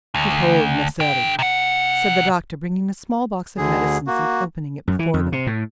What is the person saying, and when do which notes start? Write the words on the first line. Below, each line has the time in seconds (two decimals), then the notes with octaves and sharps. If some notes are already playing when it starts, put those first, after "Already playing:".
"Behold, Messeri!" said the doctor, bringing a small box of medicines and opening it before them.
0.15 D2
1.00 D3 G5
1.39 C3 F#5
3.58 D2 D3 G#4
4.07 A#3 F#4
4.87 F#2
4.99 E3
5.14 F2
5.32 C3
5.47 A2